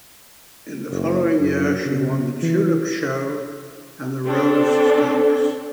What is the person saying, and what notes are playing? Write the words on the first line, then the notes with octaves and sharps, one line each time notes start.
In the following year she won the Tulip Sho and the Rose Stakes.
F#1
F#2
C#3
E3
C4 D4 A4